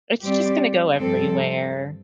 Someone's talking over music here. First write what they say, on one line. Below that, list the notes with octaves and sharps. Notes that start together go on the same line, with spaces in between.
It's just gonna go everywhere.
G3 C4 G4 D5
G2 F3 C4 A4